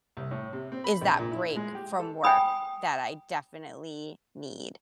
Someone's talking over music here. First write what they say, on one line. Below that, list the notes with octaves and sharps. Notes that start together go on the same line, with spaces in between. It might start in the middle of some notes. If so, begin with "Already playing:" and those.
is that break from work that I definitely need.
C2
A2
C3
C4
B5
A#1
A#2
E4
G#3
G4
A4
G5 G#5 B5 D#6